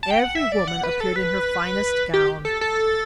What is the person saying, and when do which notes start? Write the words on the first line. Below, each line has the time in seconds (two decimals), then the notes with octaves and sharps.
Every woman appeared in her finest gown.
0.03 A5
0.11 G5
0.19 F#5
0.35 E5
0.52 D5
0.67 F#5
0.84 B4
1.00 A4
1.16 B4
2.13 G4
2.45 A4
2.61 A4